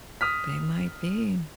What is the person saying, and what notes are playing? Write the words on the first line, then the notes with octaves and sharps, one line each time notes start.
They might be.
D#6 F6 B6